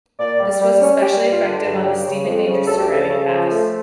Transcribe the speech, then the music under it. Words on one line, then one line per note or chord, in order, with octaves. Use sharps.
This was especially effective on the steep and dangerous Surami Pass.
A#2 D5
G3
G3
C#4
G3 G4
G2 G4
F4
D3
G2
C#3 G4
C#3
F2
C#3
D2 A4
G4
C#3 A4
C#3
F3
A3